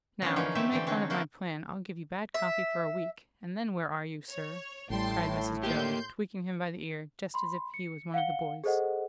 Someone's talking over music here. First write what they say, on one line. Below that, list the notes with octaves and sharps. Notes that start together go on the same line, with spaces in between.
"Now, if you make fun of my plan I'll give you bad coffee for a week, and then where are you, sir?" cried Mrs. Jo, tweaking him by the ear just as if he was one of the boys.
F3 B3 C#4 D4
D3 E3 F3 A#3 C#4 D#4
F3 A3 C4 G4 E5
D3 E3 C4 D5 G5
D3 C4 C#4 D#4 F#4
A#3 E4 F#4 A#4 C5
E5
C#5
A1 A2 G3 G5 A5 C6
A#3 G4 C6 G6
B5 C6
C#7
F5 F#5 C#7 G7
G#4 A4 C5 D#5 F#5